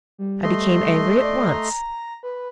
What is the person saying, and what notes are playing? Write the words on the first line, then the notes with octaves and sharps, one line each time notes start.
I became angry at once.
G3
A3 D#5 C6
D5
A#5
B4